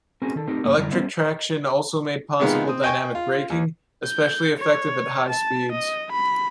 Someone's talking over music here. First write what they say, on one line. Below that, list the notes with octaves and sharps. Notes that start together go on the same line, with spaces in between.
Electric traction also made possible dynamic braking, especially effective at high speeds.
A3 C4 C#4 F#4 G#4 A#4
D#3 A4
A3 C4 D#4 G4 A4 A#4
G2 A#3 A4
F#2 D3 G3 E4 D5 A#5
G3 B3 C#4 A#4 C5 E5
C3 D#3 G#3 B3 D#4 F4
C4 D#6
D#5 G5 G#5 C#6
F4
D#2
G6
C#5
A5
D#5
B5